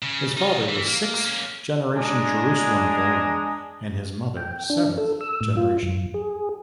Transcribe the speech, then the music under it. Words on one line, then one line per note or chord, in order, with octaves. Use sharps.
His father was sixth-generation Jerusalem-born and his mother seventh-generation.
C#3
D#4 F4
E3
A#3
A#3 C#4
G#3 D4 G#5 A#5 D#6
G5
D4
A4
E6
A2
F4
F#2
G#4